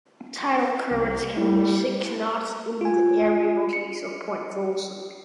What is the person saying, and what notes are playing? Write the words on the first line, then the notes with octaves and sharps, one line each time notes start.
Tidal currents can reach six knots in the area northeast of Point Wilson.
C2
A2 G3
F4 G#5
C#7